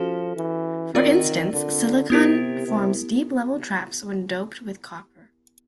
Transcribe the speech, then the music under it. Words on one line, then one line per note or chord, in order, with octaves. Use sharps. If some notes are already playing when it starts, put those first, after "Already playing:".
For instance, silicon forms deep-level traps when doped with copper.
Already playing: F3 C#4 F#4 A4
E3
D#3 C4 F4 A#4 D5
D3
C3 B3 E4 G4 A#4
C3